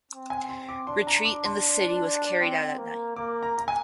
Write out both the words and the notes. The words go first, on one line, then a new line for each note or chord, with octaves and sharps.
Retreat in the city was carried out at night.
C4
G#5
C6
D6
D4 C6
A#5
D6
C6
C4
A#3
A#3 D6
A#5
A#5
G#5